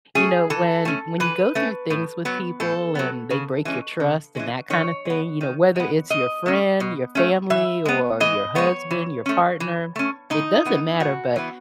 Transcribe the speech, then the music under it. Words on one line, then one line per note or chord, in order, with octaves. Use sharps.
you know, when when you go through things with people and they break your trust and that kinda thing, you know, whether it's your friend, your family, or your husband, your partner, it doesn't matter, but
A3 C#4 G#4
E3 A4
A3 C#4
E3 B4
A3 C#4
A2
F#3 B3
A2 A4
F#3 B3
C#3
E3 G#3 C#4
C#3
E3 G#3 C#4
D#3 C#5
G#3 B3
D#3
G#3 B3
B2 D#5
A3 C#4
B2
A3 C#4
E3 E5
G#3 B3
E3 D#5
G#3 B3 C#5
E3
A3 C#4
E3
A3 C#4
A2 D#4
E3 B3
A2 F#4
E3 B3